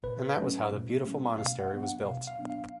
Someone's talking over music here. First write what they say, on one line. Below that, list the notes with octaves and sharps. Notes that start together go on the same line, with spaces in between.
And that was how the beautiful monastery was built.
A#2 B4
F#3 A3 C#4
A#2
F#3 A3 C#4
B2 F5
F#5
F#3 B3 D4
F#5
B2 F5
F5
F#3 B3 D4
F5